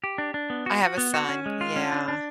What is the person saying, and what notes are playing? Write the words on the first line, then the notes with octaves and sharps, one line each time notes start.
I have a son. Yeah.
G4
D4
D4
B3
F#4
F#4
B3
F#4
C#4
G#3
F4
C#4
D4
D4